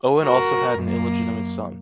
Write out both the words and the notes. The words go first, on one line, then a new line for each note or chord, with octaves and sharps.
Owen also had an illegitimate son.
F#4 A#4
F#2 A#3